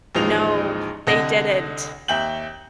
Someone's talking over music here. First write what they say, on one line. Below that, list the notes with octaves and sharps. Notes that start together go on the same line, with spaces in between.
No, they didn't.
A1 D#2 F3 G#3 D#4 F7
C2 D3 D#5 A#6
D#2 E5 G5 G6 F#7